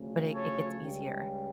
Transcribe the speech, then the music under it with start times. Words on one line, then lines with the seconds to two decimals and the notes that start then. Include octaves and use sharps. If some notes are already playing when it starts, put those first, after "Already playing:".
but it it gets easier.
Already playing: D2 C#3 F3
0.34 A4 C#5
0.80 C#2 C#3 G3